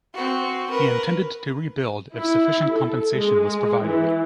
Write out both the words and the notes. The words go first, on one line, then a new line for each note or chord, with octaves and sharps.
He intended to rebuild if sufficient compensation was provided.
C4 F#4
A#4 B4
E4
A4
G#3
E3